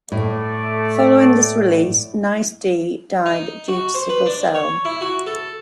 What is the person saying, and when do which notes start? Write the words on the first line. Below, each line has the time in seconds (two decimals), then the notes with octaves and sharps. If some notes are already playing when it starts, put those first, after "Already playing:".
Following this release, Nyce D died due to sickle cell.
0.12 A2 A3 D5
3.26 D#4
3.68 F#4
3.94 C5
4.09 B4
4.26 D4
4.55 C#5
4.85 E4
5.01 F#4
5.26 A4